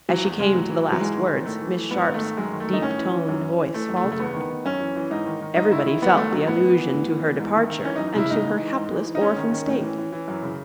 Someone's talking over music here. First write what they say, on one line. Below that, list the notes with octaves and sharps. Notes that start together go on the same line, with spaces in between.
As she came to the last words, Miss Sharp's "deep-toned voice faltered." Everybody felt the allusion to her departure, and to her hapless orphan state.
E3 F#3
E2
C#3 G#3
A2 F#3
E3
E3
F#3
G#2 G#3
D#3
D#3
A2 A3
E3
E3
G#2 B3
D#3
A3
D#3
F#2 G#3
D#3
A3
D#3
D#4
A2 C#4
E3
E3
F#2
E3
E3
E3 A3
F#2
A3
C#3
A3
E2 B3
D#3
D#3
F#2 C#4
E3
E3
G#2 D#4
D#3
D#3
G#2 D#4
D#3 E4
D#3 E4
F#2 B3
G#3
D#3 A3
D#3 F#3
A2 B3
E3
E3
A2
E3
E3
G#2
D#3
D#3
E3 C#4
D#4
F#2
D#4
C#3 E4
A2 D#4
E3
E3
G#2
E3
E3
D#4
G#2 C#4
D#3
D#3
A2
E3
E3
E3
F#2
C#3